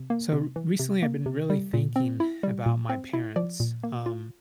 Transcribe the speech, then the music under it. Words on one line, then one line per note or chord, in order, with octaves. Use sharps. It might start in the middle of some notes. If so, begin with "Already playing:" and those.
So, r recently, I've been really thinking about my parents. Um.
Already playing: C3
A#3
C3
E3
C3
A#3
C3
G3
A#2
C4
E4
G3
A#2
C4
E4
F3 D5
A#2
A#3
F4